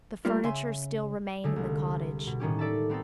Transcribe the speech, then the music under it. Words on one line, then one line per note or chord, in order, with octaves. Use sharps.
The furniture still remained in the cottage.
G3 A#3 F4 G4 A#4
C#3 E5 G#5 C6
D3 G#3 A3
C2
B2
A2 D#3 C#4 G4
A4 D5 E5 A5
B3 C4 D#4 A4